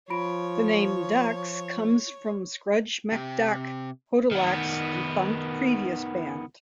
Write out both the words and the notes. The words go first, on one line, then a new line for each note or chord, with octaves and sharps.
The name "Duhks" comes from Scruj MacDuhk, Podolak's defunct previous band.
F3 F4 C#5 B5 D7
C3 G4
D#3 B3